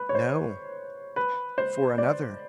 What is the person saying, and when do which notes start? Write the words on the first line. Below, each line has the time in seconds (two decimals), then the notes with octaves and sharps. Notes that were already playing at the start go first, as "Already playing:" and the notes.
"No; for another."
Already playing: B4
0.09 C#5
0.15 C5
1.16 B4
1.58 C5
1.98 D5